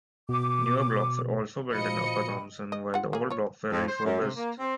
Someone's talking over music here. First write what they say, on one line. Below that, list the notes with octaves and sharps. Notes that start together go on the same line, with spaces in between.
Newer blocks were also built in Upper Thomson, while the old blocks were refurbished.
B2 D6
A#2 F3 F#4 D5 D#5 B5 C#7
D#5
F4 F#5
A#3 G#4
F4 C#5
F2
C5
F#2
C3
A#3
C4